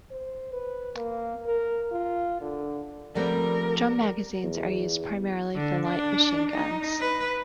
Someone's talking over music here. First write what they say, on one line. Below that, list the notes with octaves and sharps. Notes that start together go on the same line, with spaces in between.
Drum magazines are used primarily for light machine guns.
C5
B4
A#3
A#4
F4
D3
F3 G3 A3 B3 C4 A#4 D5
E2
D3
D4
D#4
B4